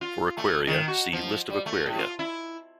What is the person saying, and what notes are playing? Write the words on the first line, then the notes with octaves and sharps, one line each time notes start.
For aquaria, see List of aquaria.
F4
A3
D#3
F#4
F3
G3
A3
A2
F4
E4